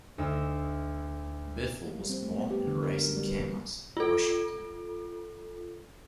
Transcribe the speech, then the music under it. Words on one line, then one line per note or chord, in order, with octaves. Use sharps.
Biffle was born and raised in Camas, Washington.
D2 D#4 E6
A#3
G3
C4
A3
B3
G4
D3
A#4
F#4
G3
B4
A#3
F4 A4